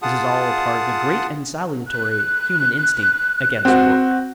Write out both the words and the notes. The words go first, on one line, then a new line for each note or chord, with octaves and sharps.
This is all a part of the great and salutary human instinct against work.
F4 G#4 F#5 A5 D#6
F#6
C4 F#4